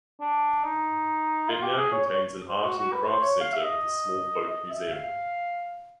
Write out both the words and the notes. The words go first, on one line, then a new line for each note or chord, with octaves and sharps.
It now contains an art and craft centre with a small folk museum.
D4
D#4
F4
G4
G#4
C#5
C#5
C5
F#4
F#4
B4
C5
C#5
F5
E5
D#5
D#5
E5
F5